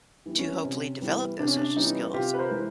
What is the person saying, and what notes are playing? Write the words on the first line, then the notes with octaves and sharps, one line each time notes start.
to hopefully develop those social skills,
E3 G3 B3
C#4
C3
E3 G3 B3
C3 D4
C#4
D4
E3 G3 B3 C#4 D#4
C3 F4 G4
B4
A#4 C5
E3 G#3